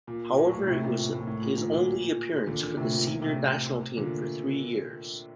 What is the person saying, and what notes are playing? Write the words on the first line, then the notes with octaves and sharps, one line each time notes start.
However it was his only appearance for the senior national team for three years.
A#2
A#2
A2
A#2
A2 C3
A#2
A2
A2
A#2
A2
A#2
A#2 D3
A#2
A#2 D3
A#2 D3
A2 C3
A#2
A#2
A2 C3
A#2 D3